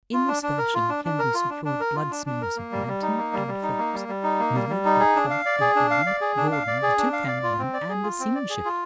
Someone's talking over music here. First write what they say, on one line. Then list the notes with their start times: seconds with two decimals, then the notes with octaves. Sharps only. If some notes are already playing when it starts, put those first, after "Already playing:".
In this fashion Kennedy secured blood smears of Manton and Phelps, Millard and Kauf and Enid, Gordon, the two camera men, and a scene shifter.
0.13 F4
0.28 D4
0.43 D4
0.58 A#4
0.74 F4
0.89 D4
1.05 D4
1.19 A#4
1.34 F4
1.50 D4
1.65 D4
1.80 A#4
1.96 F4
2.11 D4
2.26 D4
2.42 A#4
2.56 A#3
2.72 G3
2.87 G3
3.02 D#4
3.18 A#3
3.33 G3
3.47 G3
3.63 D#4
3.78 A#3
3.93 G3
4.08 G3
4.23 D#4
4.39 A#3
4.55 G3
4.69 G3
4.85 D#4
5.00 G#4
5.15 D4
5.30 F5
5.46 D5
5.61 G#4
5.76 D4
5.91 F5
6.06 D5
6.21 G#4
6.37 D4
6.52 F5
6.68 D5
6.83 G#4
6.98 D4
7.13 F5
7.28 D5
7.43 F4
7.59 C4
7.74 D5
7.89 G#4
8.03 F4
8.20 C4
8.35 D5
8.50 G#4
8.65 F4